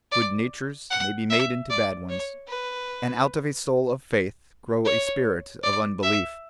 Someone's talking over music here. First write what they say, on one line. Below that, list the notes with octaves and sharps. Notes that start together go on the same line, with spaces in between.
Good natures may be made into bad ones and out of a soul of faith grow a spirit of unbelief.
D5
F#5
E5
D5
C#5
B4
C#5
D5
E5